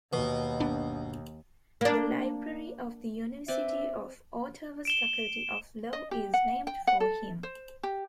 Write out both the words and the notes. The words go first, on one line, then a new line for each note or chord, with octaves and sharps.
The library of the University of Ottawa's Faculty of Law is named for him.
D#2 B2
G1 B3 D4
A#3 D4
C4 B4 D5 E5
D7 E7 G7
D#5
G4
F#5
G5
F#5
A4
C5
G4